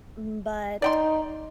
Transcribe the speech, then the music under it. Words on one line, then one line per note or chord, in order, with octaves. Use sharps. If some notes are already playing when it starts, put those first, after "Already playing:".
Mm, but
D#4 D5 G5 C6